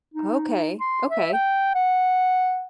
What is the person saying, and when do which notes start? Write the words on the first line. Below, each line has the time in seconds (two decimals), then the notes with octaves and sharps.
Okay, okay.
0.14 D#4
0.80 C6
1.09 E5
1.33 G5
1.75 F#5